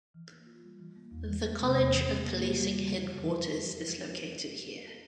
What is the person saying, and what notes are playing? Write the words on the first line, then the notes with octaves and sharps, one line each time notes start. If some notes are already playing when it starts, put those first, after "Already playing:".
The College of Policing headquarters is located here.
E3
A#3
F4
G3
E3
A#3
E2
E3
G#3
C3
E2
E3
C#3
A#3
C#3
G3
C#3
A#3
F2
E3